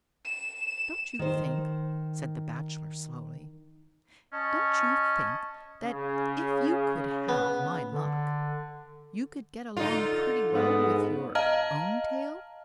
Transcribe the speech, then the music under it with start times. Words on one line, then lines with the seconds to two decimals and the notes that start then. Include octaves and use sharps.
"Don't you think?" said the Bachelor slowly, "don't you think that, if you could have my luck, you could get along pretty well with your own tail?"
0.25 E7
1.19 D#3 C5
4.33 C#4 D#5 A5 C#6
5.82 C#3
7.29 B3
7.89 D3
9.77 D3 D#4 F4
10.54 G#2 B3
11.35 D#5 F5 A5 A#5 F6